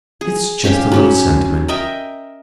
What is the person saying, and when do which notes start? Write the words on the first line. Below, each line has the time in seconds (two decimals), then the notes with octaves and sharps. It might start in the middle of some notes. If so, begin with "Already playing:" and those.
It's just a little sentiment....
0.21 G#4
0.64 C#4 G4 F5 G5
0.92 F#3 C#4 G4
1.68 A#4 D#5 E5 G5